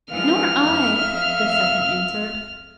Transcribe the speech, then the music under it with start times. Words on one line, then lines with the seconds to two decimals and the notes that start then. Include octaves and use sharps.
"Nor I," the second answered.
0.11 E3 F3 G#3 F5 F6
0.64 F2 E5